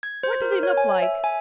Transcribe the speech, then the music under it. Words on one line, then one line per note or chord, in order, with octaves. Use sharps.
What does he look like?'
G#6
C5
A#4
C#5
G#5
E5
G#5